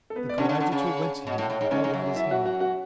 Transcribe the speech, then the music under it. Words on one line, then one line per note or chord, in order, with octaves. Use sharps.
The coadjutor went to him and held out his hand.
A4
B3 B4
D5
D3 C#4 C#5
D3
D3
C#3
B2
A2
A2
G#2
G#2 C#4 C#5
G#2
F#2
E4 E5
F#4 F#5
F#4 F#5
F#4 F#5